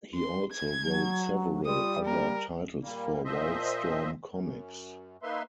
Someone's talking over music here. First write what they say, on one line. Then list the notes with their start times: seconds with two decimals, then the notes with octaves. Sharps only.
He also wrote several other titles for Wildstorm Comics.
0.15 C6
0.52 G#6
0.85 F#3
1.66 G3 F4 D#6
2.05 A#3 A#4
2.81 A#2 G3 A#3
3.25 A#2 F3 C5 D#5 E5
4.28 F#2
5.22 A#3 D#4 B4 E5 C6